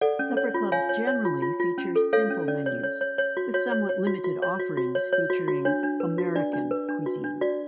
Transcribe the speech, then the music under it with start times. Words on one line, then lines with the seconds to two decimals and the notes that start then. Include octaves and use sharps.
Supper clubs generally feature "simple" menus with somewhat limited offerings featuring "American" cuisine.
0.01 A4 D5 F#5
0.19 C#4
0.37 C#5
0.54 F4
0.72 C#5 F5 G#5
0.89 C#5
1.07 C#5
1.25 F4
1.42 F4
1.60 F4
1.78 C#4
1.96 A4
2.13 A4 C#5 F5
2.30 C#4
2.48 C#4 D5
2.66 C#5
2.84 C#5
3.01 C#5
3.18 C#5
3.37 F#4
3.54 F#4 C#5
3.72 C#5
3.89 C#5
4.07 F#4
4.24 F#4
4.42 C#5
4.59 F#4
4.77 F#4
4.95 C#5
5.13 C#5
5.30 F#4
5.48 F#4
5.65 D4 C#5
5.83 D4
6.00 B4
6.18 F#4
6.36 D4 D5
6.53 D4
6.71 B4
6.89 D4
7.06 F#4
7.24 D4
7.41 F#4 D5